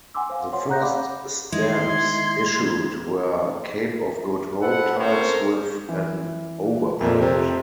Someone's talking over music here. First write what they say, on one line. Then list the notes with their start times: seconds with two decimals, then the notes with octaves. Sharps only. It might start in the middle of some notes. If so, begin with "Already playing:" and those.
The first stamps issued were Cape of Good Hope types with an overprint.
0.14 F#5 G#5 C6 D6 E6
0.30 C5 F5 G#5
0.53 C5 C#5 F#5 C6
0.69 F#5 A#5 F#6 G6 A#6
0.81 D5 F5 F#5 B5 D6
1.52 D#3 G#3 E4 C6 G#6
4.61 A4 B4 C5 F#5
4.97 C4 C#4 A4 A#4 C5 C#5
5.89 E3
7.01 F2 A#2 A3 E5
7.21 C3